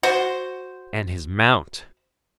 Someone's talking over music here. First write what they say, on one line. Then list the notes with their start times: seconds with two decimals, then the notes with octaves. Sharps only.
And his mount!
0.03 F#4 C5